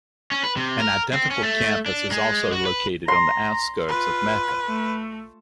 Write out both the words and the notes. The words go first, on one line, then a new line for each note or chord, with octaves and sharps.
An identical campus is also located on the outskirts of Mecca.
C#4
B4
C3
A#4
C4
C#4
A3
D4
G#3
F#4
B4
A#5 C6
F4 B4
A3